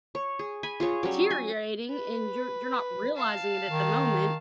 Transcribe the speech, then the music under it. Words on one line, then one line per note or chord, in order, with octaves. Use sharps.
deteriorating and you're you're not realizing it at the moment
C#5
G#4
G#5 B5
F4 G#4 C#5
F#3 G3 C#4
G#5
B4
F5 A5
D#3